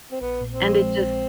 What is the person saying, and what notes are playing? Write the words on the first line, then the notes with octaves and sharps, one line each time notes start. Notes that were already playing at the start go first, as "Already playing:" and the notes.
and it just
C4
A#1 B3
A#2
C4
F3
G#3
A#1